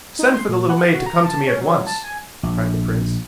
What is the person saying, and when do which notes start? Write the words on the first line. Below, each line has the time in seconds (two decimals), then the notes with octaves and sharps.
"Send for the little maid to come to me at once," cried the prince.
0.19 D#4
0.34 C6
0.49 A#2
0.69 F#5
0.94 F#4
1.06 A#5
1.24 A5
1.46 C#4
1.61 F#3
1.87 A5
2.04 G#5
2.43 A#1